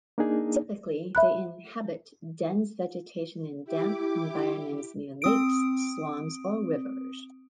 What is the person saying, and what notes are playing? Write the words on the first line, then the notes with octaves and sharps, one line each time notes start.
Typically they inhabit dense vegetation in damp environments near lakes, swamps or rivers.
A#3 D4 D#4 G#4
E5 B5 F#6
E4 G4 D6
C4 D#6 D7